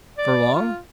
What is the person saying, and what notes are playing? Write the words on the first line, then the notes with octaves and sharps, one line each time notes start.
"For long?"
D5
F4